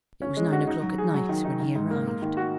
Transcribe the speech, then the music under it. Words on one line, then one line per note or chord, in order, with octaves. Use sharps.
It was nine o'clock at night when he arrived.
C#4
G#3
F#4
D#4
F#3
G#4
F#3
D#3
D#4
D#3
G#2
A#3
A#3
D#3
F#4